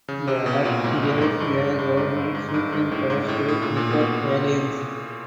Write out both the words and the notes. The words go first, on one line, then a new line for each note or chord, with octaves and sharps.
The act gave the government sweeping powers to deport aliens.
C#3
C3
B2
A#2
G#2
G2
A2
G#2
G2
G#2
G2
G#2
G2
G#2
G#2
G2
G#2
A2
G#2
A2
A2
A#2
A#2
B2